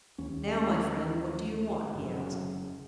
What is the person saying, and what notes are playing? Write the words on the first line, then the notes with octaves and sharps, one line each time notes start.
"Now, my friend, what do you want?" he asked.
D#2 C#4
F#1 F#2 C#3